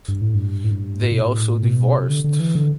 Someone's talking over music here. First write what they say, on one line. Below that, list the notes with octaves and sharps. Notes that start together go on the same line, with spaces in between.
They also divorced.
G2
A2
G2
A2
G2
A2
B2
A2
B2
C3
D3
D3
E3
D3